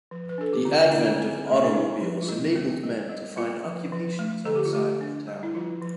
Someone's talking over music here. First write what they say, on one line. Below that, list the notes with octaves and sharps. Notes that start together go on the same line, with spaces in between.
The advent of automobiles enabled men to find occupations outside of the town.
F3
B4
D4 A4
G4
D3 F4
F4
D4 E4
C4
A3
D4
C4 E4
F3
F4
G3 E4
B3
G3
G3
B3 F4
F3
F3
A3
D3 A4
G4
F4
A3 G4
D4
G3
E4
F3 F4
F3